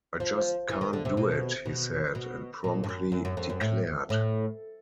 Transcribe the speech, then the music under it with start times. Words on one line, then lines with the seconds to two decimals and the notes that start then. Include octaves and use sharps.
"I just can't do it," he said, and promptly declared.
0.20 F3
0.69 E3
0.81 D#3
0.93 D3
1.05 C3
1.17 B2
1.66 B2
2.15 B2
2.64 A#2
2.84 G2
2.89 F#2
3.12 F#2
3.25 F#2
3.37 F2
3.49 F#2
3.61 A2
4.10 A2